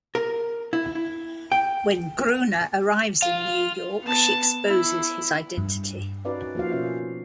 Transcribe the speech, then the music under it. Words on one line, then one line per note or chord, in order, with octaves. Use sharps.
When Gruner arrives in New York, she exposes his identity.
A#4
E4
E4
G5
F4 F5
B3 A5
E4
G2
C#4 D#4 F#4 B4 D5 F5
F3 A#3 F#4 C5 F5
B2 C#4 C5 E5 F5